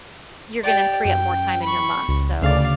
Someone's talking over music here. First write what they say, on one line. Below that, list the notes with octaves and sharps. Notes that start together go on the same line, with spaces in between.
you're gonna free up more time in your month, so,
G4 D5
F#2 G5
B5 C#6
C#2
D2 C#3 D5 F5